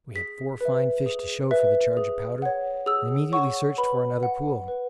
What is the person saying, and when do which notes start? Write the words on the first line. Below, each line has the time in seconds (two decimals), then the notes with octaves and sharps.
We had four fine fish to show for the charge of powder, and immediately searched for another pool.
0.15 G#4 B6
0.61 B4 E5
1.06 G#4
1.51 B4 E5
1.97 G#4
2.42 C#5 F#5
2.86 G#4 E6
3.32 C#5 F#5 C#6
3.78 B4 B5
4.23 F#5
4.68 B4